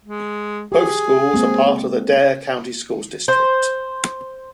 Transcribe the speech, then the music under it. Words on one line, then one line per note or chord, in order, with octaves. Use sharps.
Both schools are part of the Dare County Schools district.
G#3
G4 G#4
G#3 A#3 C4
C5